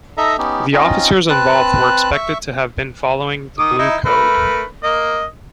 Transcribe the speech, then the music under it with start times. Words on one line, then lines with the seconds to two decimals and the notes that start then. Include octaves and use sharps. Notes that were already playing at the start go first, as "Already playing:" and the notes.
The officers involved were expected to have been following the "blue code".
0.18 D#4 A4 D#5 E5 A#5
0.39 B3 C#4 D#4 G4
0.73 C4 C#4 D#4 F4 D#5
1.30 C4 B4 A5 F#6
2.12 E5 C#6
3.59 D#3 D6 D#6
3.79 D#4 E4
4.06 A3 A#4 B4
4.83 A#3 D#5